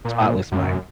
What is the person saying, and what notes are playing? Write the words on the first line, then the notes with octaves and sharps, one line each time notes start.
Spotless Mind.
A#2
F#2